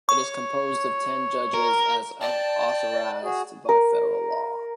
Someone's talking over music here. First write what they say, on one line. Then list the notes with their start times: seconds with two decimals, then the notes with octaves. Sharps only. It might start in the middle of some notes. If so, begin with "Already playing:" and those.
It is composed of ten judges as authorized by federal law.
0.09 C#5 C#6
1.54 A#4
2.21 D5 G5 A5
3.23 F#4 G#4
3.69 A#4